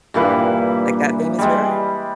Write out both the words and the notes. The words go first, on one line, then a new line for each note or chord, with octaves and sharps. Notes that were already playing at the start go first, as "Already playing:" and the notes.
like that famous river?
G2 A#2 E3 B4
G3 G#3